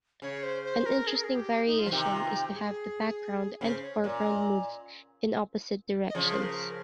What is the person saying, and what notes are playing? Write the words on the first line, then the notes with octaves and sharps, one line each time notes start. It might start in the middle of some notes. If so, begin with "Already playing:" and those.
An interesting variation is to have the background and foreground move in "opposite" directions.
C#3 C#5
C5
C5
A#4
G#4
A#4
G#4
G4
D#4
F4
F3
C3 D#3 G4
F4
G4
G#4
C#3 C5
C#5
A#2 C#5
D#5
D#5
C#3 F3 C#5
C5
A#4